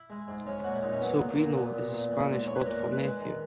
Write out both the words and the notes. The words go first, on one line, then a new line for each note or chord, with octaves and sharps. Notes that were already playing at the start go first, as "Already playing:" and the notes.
Sobrino is the Spanish word for nephew.
Already playing: E4
G#3
G#2
G#3 C#4
A#2 F#4
E4
A#2 D#4
C#4
F#3 B3
A#2
A#3
A#2
A#2 B3
A#2
A#2
E3
G#2
E3 C#5
B4
A#2 A#4
G#3
B4
G#3
D#3